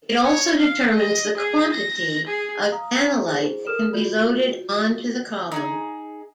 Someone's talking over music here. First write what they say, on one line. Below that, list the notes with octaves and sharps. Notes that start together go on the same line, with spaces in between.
It also determines the quantity of analyte that can be loaded onto the column.
C#5
F5
D#5
G#4
A#6
G#4
F5 A#5 D#6
E4 G#4 C5
A4 A#4 D#6 F6 E7
F4 F#4 D5 G6
D#4 E4 G#4